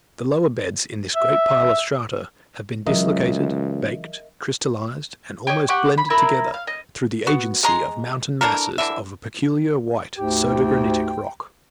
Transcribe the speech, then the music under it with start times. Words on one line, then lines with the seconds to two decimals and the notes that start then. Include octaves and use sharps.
The lower beds in this great pile of strata, have been dislocated, baked, crystallized and almost blended together, through the agency of mountain masses of a peculiar white soda-granitic rock.
1.15 E5
2.86 C#2 E3 F#3 A#4 D#5 E5
5.47 G4 C#5 D#5
5.69 G4 F#5 C#6
5.98 B5
6.10 E4 A#4 B5 E6
6.54 F5
6.67 D#5
7.27 B3 F#4
7.63 G#3 D#5 A#5 C6
8.41 E3 D4 A4 A#4
8.78 D3 E3 E5
10.17 D2 G#2 G4 G5